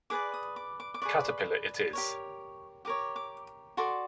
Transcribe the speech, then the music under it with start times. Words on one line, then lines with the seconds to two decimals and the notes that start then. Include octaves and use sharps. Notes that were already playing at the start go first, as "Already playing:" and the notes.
Caterpillar it is.
0.10 G#4 B4 D5 D6
0.33 D#6
0.56 D6
0.80 D6
0.94 D6
1.02 G#4 B4 D5 C#6
1.93 G4 A#4 C#5
2.85 G4 A#4 C#5 D6
3.16 D6
3.77 F#4 A4 D5 C6